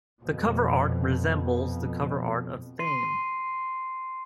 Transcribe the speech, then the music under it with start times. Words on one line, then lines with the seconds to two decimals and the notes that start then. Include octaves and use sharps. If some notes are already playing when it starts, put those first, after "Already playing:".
The cover art resembles the cover art of "Fame".
0.21 F2 B2
2.79 C6 C7 D#7